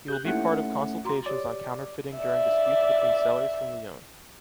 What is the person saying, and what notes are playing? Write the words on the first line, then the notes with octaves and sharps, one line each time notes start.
He will be part of consultations on counterfeiting during disputes between sellers from Lyon.
G4 F#6 G6
A3 A#3 C#4 D#4 E4 F#5
F#4 A#5 C6
G4 C#5 D5
D5 E5